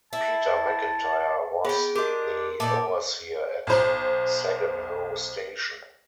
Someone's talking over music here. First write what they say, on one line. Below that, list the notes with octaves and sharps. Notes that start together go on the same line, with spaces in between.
Peter Macintyre was the overseer at Segenhoe Station.
E4 A5
B3 G#4 G5 B5
D4 G4 A#4 D#5 C6
A#2 D#4 G4 A4 A5 D6
B1 C5